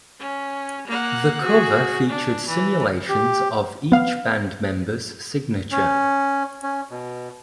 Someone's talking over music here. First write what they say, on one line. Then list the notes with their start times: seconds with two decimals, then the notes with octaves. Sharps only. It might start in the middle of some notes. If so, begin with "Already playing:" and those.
The cover featured simulations of each band member's signature.
0.20 C#4
0.87 A#3 F#5
1.42 F#4 G#4
2.09 D4
2.47 E3
3.09 G4
3.92 B3 F5
5.72 C#4
6.63 C#4
6.91 B2